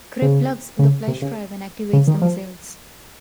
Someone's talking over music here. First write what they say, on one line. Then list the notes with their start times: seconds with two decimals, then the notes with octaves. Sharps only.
Cray plugs in the flash drive and activates the missiles.
0.22 C#3
0.79 C#3
1.08 C3
1.22 C#3
1.93 C#3
2.07 D#3
2.22 F3